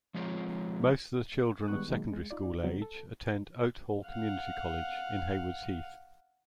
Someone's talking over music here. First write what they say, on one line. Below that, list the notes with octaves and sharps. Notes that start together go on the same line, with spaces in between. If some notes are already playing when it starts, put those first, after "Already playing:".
Most of the children of secondary-school age attend Oathall Community College in Haywards Heath.
F3 G#3 C4 F4 G#4 C#5
D#3 G3 G#3 B3 C#6 F#6
B2 D#3 F#3 G#3 A#3
G#3
D#4 F4 D5
C#3 F#3 B3 C4
A4
F5 F#5